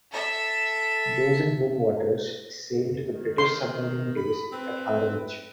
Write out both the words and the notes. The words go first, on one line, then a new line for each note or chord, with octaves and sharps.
Those in home waters sailed to the British submarine base at Harwich.
A4 E5
D#3
C6
B5
C4 B4